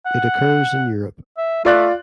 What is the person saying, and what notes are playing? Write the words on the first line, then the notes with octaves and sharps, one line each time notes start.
It occurs in Europe.
F#5
E5
A3 F4 D5 F#6